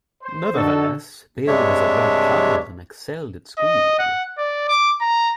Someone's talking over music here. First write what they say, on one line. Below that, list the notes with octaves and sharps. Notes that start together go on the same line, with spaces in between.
Nevertheless, Bill was a bright child, and excelled at school.
C5
D3 D#4 F#4 A4
G2 C3 G#3 D4 C#5 E5
D#5
F#5
D5
D6
A#5